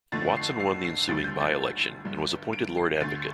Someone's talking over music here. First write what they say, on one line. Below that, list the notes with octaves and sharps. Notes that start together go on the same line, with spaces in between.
Watson won the ensuing by-election and was appointed Lord Advocate.
F2 D3 A3 A6
C7
C7
C7
D2 D3 G3 A6
G6
A6
G1 G2 G3
D7
C7
D2 D3 A3 A6